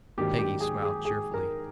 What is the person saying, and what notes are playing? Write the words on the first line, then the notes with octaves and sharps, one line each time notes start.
Peggy smiled cheerfully.
G#2 D#3 F#3 A#3 D4 G4
G4
G#4
G#4
G#4
A#4